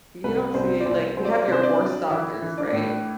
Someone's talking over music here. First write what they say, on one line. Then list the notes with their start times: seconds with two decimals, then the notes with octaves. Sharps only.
You don't see it like, you have your horse doctors, right?
0.24 C2 B4
0.54 C2 C4 C5
0.81 D5
0.86 C2 C4 C5
1.17 F#3 C5
1.25 D5
1.34 C5
1.43 D5
1.48 C3 C4 C5
1.63 D4 D5
1.79 F#3
2.11 E3 E4 E5
2.42 E3
2.58 D4 D5
2.72 A2